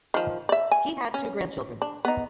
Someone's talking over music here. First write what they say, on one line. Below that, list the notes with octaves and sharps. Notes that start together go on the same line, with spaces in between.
He has two grandchildren.
D#3 F3
D5 E5
G#5
C#4
D4
B3 D#4